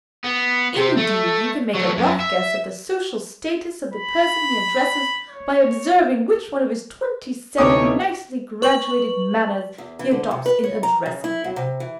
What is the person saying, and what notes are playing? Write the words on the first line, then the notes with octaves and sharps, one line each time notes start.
Indeed, you can make a rough guess at the social status of the person he addresses by observing which one of his twenty-seven nicely graduated manners he adopts in addressing him.
B3
C3 C4
A3
F#3 A3
F#2
E5
B5
C#5
D2 C3 E3 A3 D#4 C#5 D6 D#6
B4 C#6 F#7
E2
E3
D3
C3
B4
C#5
A#5
C#3
E4
F#3
C3
E3